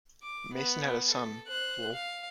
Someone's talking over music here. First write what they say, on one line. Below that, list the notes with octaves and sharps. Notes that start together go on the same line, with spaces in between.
Mason had a son, Lol.
D6
B3
A4
C5 F#6
F5